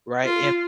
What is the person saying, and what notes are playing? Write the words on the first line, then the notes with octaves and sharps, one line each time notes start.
right? And
F4